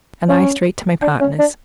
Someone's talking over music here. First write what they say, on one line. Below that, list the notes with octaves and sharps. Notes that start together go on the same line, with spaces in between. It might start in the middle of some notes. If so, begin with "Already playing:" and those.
"And I straight to my partner's."
C#4
D4
C#4
D4